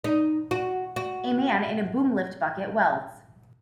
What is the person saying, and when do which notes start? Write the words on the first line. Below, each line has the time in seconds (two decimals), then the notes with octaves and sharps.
A man in a boom lift bucket welds.
0.04 D#4
0.51 F#4
0.96 F#4